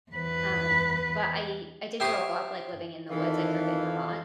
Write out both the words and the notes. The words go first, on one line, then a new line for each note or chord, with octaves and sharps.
Um, but I I did grow up, like, living in the woods. I grew up in Vermont.
E2 B4
E4 G4 C5 C6 C#6 D#6
F2 D#3 E3 A4 F5